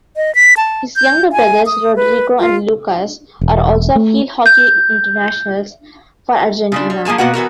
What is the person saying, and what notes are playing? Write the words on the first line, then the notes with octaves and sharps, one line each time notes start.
His younger brothers Rodrigo and Lucas are also field hockey internationals for Argentina.
D#5
B6
A5
G6
G#5
D#6
B4
F4
E1
A3
G6
C#3 F3 D4
G3
F3 A#3 G#4 G#5 A5
B2 A#3 F#4 B4 F#5
E3 B3 F#4 A#4